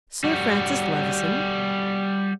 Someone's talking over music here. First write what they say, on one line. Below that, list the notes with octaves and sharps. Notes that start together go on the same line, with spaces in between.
Sir Francis Levison?
G3 F#4